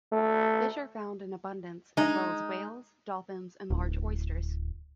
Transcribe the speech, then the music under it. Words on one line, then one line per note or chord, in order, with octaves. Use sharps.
Fish are found in abundance, as well as whales, dolphins and large oysters.
A3
G#3 D#4
D1